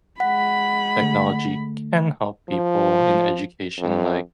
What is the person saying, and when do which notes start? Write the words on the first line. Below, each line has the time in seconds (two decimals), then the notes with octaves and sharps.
technology can help people in education, like,
0.20 G#3 F#5 B5 B6
0.98 D3 A3
2.50 F3
3.78 F2